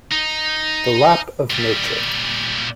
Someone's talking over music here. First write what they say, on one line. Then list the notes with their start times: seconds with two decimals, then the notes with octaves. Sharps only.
The lap of Nature!
0.12 D#4
1.50 A#2 G3